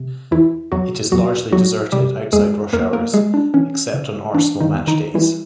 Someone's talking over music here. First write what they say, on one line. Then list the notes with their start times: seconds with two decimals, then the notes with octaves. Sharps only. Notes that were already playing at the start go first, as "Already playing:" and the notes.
It is largely deserted outside rush hours except on Arsenal match days.
Already playing: C3
0.31 E2 E3 E4
0.72 E2 F#3 F#4
1.12 E2 F#3 F#4
1.52 E2 F#3 F#4
1.92 C3 G3 G4
2.33 E2 G#3 G#4
2.73 E2 A#3 A#4
2.93 A#3 A#4
3.13 G3 G#3 G#4
3.34 D4
3.54 E3 C#4
3.94 C#3
4.34 E3 D4
4.60 D#3 D#4
4.74 E2
4.87 D#3 D#4
5.14 E3 G3 E4